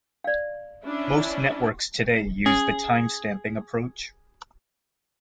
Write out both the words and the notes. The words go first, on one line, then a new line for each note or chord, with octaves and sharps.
Most networks today use the timestamping approach.
D5 F5
C#4 D4 E4
C#4 G#4